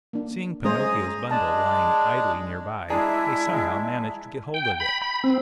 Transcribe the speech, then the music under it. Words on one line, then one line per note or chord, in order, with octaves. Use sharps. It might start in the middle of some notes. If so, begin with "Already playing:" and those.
Seeing Pinocchio's bundle lying idle near-by, they somehow managed to get hold of it.
A#3 D4
G#3 C#4 G#4 C5 A#5 D#6
G#3 D4 A5
G#3 D4 E4 G#4 D5 A5 A#5
G#3
G5
B5
B5
C4